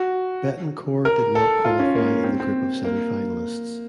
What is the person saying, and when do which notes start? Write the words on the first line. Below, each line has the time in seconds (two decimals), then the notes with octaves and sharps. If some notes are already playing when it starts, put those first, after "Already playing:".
Betancourt did not qualify in the group of semifinalists.
Already playing: F#4
1.05 A#4
1.35 A4
1.65 F4
1.79 C#4
1.95 A#3
2.24 C4
2.40 C4
2.84 A#3